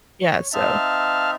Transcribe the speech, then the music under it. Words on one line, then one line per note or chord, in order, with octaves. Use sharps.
Yeah. So
C#5
C4 D#4 E5 F5 A5 F6